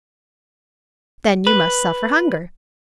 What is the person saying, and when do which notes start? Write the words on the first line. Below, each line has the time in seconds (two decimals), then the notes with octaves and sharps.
"Then you must suffer hunger."
1.47 B4